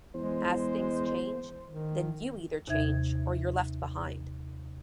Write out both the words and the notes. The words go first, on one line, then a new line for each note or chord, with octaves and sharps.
As things change, then you either change or you're left behind.
E2 G#3 C5
D#3
D#2 C3 D#4 E5 G#6